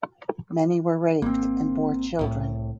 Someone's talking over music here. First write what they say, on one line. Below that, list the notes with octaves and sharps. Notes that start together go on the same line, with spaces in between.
Many were raped and bore children.
G#1 A#3 C4
C2 A2